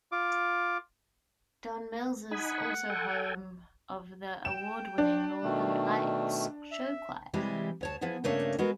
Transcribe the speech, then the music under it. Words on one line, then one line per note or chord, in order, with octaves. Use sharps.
Don Mills is also home of the award-winning Northern Lights Show Choir.
F4 D6
D#4 F#5 G#5 B5
A4 G5 G#5
G5 E7
D4
B2 D#3 A3
E5
C3 E3 G3 G#3 E4 G4
D2 C#5 A5
F3 B3 E4 G#4
G2 C#3 A3 A#3 D4 C#5
G#3 B3 F#4 A#4 B4